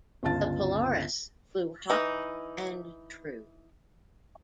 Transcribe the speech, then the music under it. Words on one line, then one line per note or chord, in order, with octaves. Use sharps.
The Polaris flew hot and true.
G1 C#2 F4 A5 A6
E3 D#4